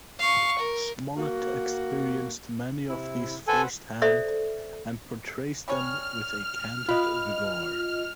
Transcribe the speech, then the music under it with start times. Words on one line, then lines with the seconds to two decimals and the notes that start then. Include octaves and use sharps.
Smollett experienced many of these first-hand and portrays them with a candid vigour.
0.19 F5 C#6
0.59 A#4
1.17 A#3 F#4
2.89 C3 E4
3.48 A4 B4 C5 F#5 G#5
4.02 A4 C5 D5 E5
5.68 G3 C#4 C#5 F6
6.89 F4 B4 D#5